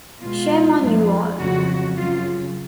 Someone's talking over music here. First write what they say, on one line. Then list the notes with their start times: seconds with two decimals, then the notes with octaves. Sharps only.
Shame on you all.
0.21 B2 G#3 F4
0.81 F2 F3 G#3
1.39 F2 C#3 F#3 F#4
1.97 F#2 C#3 F#3 F4